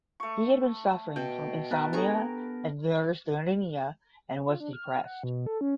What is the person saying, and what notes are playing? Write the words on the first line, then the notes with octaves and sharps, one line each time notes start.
He had been suffering from insomnia and neurasthenia and was depressed.
A3 C#6
B2 G5
B3 A#4 B4 A5
D4 G4 A4 G#5 A#5 C#6
F4
D4
F6
F6
F#5
B2
A4
C#4